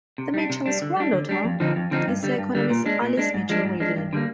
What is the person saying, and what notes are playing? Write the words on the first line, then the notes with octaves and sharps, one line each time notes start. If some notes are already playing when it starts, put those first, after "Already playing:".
The Mitchells' granddaughter is the economist Alice Mitchell Rivlin.
C3
G3 D4
C3
G3 D4
D3
G3 D4
D3
G3 D4
F2
D3 F3 C4 D#4
F2
D3 F3 C4 D#4
G2
D3 G3
G2
D3 G3
A#2
G#3 D4
A#2
G#3 D4
G#2
F3 G#3 D4
G#2
F3 G#3 D4
G2
D3 G3 A#3